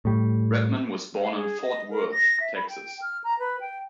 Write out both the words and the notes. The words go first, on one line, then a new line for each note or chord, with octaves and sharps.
Redman was born in Fort Worth, Texas.
A2 G3
F5
G#4
D#5
A#4
A#6
E5
B5
G5
F6
A#5
B4
G5